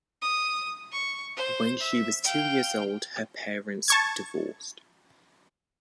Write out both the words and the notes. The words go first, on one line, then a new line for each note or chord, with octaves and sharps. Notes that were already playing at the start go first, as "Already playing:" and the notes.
When she was two years old her parents divorced.
D#6
C#6
C5
E5
F5 G5
A5 C#6 G#6